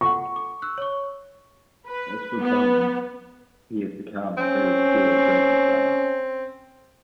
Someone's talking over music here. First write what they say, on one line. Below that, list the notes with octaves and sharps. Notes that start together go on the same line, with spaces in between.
As for Bowen, he has become a very skilled dragonslayer.
F4 A4 F#5 C#6
D6
E6 F#6
C#5 C#6
B4
B3
C4 C#4